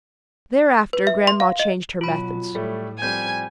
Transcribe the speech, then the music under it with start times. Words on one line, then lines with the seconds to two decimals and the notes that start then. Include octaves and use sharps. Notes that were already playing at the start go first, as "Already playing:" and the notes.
Thereafter grandma changed her methods.
0.93 B4
1.07 E5
1.27 C6
1.40 F5
1.59 D#5
2.01 B2 F#3 F4 B5
2.55 A2 G3 A3 C#5
3.02 F3 G3 C4 G#5 G6